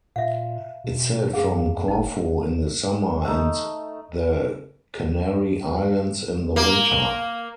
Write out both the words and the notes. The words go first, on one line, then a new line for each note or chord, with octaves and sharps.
It sailed from Corfu in the summer and the Canary Islands in the winter.
A#2 E5 F5
B2
F#2 G#4 F5
F#1 D#4 A5
A3 D#4
A#3